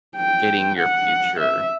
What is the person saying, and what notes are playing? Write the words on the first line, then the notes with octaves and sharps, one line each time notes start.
getting your future
G5
F#5
E5